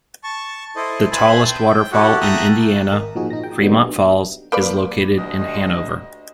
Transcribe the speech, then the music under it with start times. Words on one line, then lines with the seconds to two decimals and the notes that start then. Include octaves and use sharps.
The tallest waterfall in Indiana, Fremont Falls, is located in Hanover.
0.24 A5 C#6
0.76 E4 A4 C5 D#5
1.11 B4 C5 E5 G#5 A5 B5
1.48 G5
1.92 E4 F#4 G4 A4 F#5
2.21 E5 G5 A5 A#5 D#6 F#6
2.92 G#1 A#4
3.15 A#2 F3 D#4 F#4 G#4
3.30 D#4 A#6
3.43 G5
3.60 D3 F#3 G3 A#3 B3 D#4
4.52 A#3 B4 D5
5.17 D2 G3 D#5